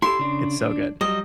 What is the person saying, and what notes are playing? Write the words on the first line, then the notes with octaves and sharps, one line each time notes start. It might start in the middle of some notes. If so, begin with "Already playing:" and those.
It's so good.
E4 G4 A4 C6
C#3 D4
D4
F#3 G3 D#5